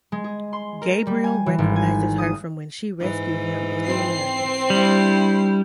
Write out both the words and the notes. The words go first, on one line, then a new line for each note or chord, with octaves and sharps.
Gabriel recognizes her from when she rescued him in the Americas.
G#3
G#4
C6
A#4
G3
G#5
E3
G#1
G#5
D#6
G#2 E3
C4 C7
G3 D4 E4